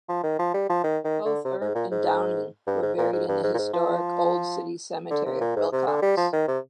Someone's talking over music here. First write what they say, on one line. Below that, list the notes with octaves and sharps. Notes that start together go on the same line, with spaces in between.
Both Earp and Downing were buried in the historic "Old City Cemetery" of Willcox.
F3
D#3
F3
G3
F3
D#3
D#3
D3
C3
G#2
A#2
G#2
G2
G#2
A#2
G#2
G2
G#2
A#2
G#2
F3
D3
C3
A#2
G#2
C3
D3
G3
F3
D#3
C3